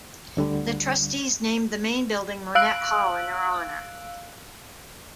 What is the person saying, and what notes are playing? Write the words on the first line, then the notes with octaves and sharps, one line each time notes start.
The trustees named the main building Monnett Hall in her honor.
D2 D3 G3
F5 E6 F#6 D7 F#7